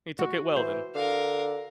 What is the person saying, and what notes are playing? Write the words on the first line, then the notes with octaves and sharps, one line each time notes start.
He took it well then.
F#4
E3 C5
D3 A#4 F5